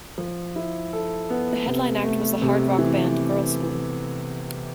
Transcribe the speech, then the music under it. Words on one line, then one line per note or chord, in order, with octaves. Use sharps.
The headline act was the hard rock band Girlschool.
F3
E4
A4
B3
C3
A3
C3
E3